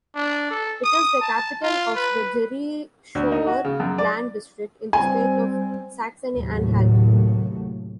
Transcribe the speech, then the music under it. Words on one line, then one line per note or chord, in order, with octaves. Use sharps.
It is the capital of the Jerichower Land district in the state of Saxony-Anhalt.
D4
A4
D#6
A5
F4
B4
D2
D#4
F#4
C#3
F#2
D5
G3 C4 G#5
D#2 A2 C3 F#3 A3